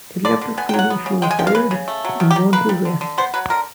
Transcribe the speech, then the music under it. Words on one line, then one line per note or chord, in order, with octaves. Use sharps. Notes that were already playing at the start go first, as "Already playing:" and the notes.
It left her feeling she was tired, and wanted rest.
D3 D5
D3
B3 G#5
G5
F#3
F#5
B3
C#3
G#3 G5
G#5
F3 G5
F5
C#3 B4
C#3
A3
F#3
D#3
G4
D#3
A#3 B4
G3
D3
D3
B3 C5
F#3 B4
D3 A#4